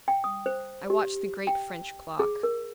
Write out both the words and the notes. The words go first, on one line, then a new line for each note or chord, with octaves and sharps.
I watched the great French clock.
G5
D#6
C5
G4
G5
G#4
A#4